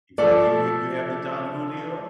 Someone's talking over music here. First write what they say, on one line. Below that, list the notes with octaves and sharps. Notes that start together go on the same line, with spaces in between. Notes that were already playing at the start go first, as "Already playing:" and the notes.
He's like, you hate you have the Don Julio?
F3 A3 A4 D5